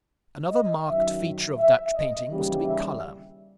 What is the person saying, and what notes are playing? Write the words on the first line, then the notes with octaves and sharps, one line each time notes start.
Another marked feature of Dutch painting was to be color.
D#5
F#2 D#3 F#3 E5
E5
D#5
D#2 C#3 E3 G3
E5